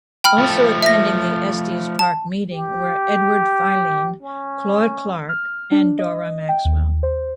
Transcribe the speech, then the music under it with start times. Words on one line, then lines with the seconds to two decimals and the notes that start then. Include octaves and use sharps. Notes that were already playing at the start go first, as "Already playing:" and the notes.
Also attending the Estes Park meeting were Edward Filene, Claude Clark, and Dora Maxwell.
0.24 G5 B5 F6
0.38 F3 A3 E4
0.82 E5 A#6
1.99 A5
2.53 G4
4.22 C#4
5.29 F6
5.72 D4
5.99 D#5
6.49 G5
6.65 D#2
7.03 C5